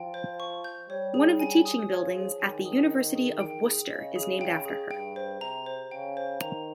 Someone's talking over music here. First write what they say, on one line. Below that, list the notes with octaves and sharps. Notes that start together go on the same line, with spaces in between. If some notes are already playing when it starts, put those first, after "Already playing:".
One of the teaching buildings at the University of Worcester is named after her.
Already playing: F3 G5
C5
C#6
G6
G3 C#5
G#4
G#5
D#6
F3 C#5
G#4
D#3 G#5
D#6
D#5
G#4
G5
G#4
C#3 D#5
G#4
G5
G#4
G2 G5
C5
C3 A#5
C5
C#3 G5
C5
D#3 A#5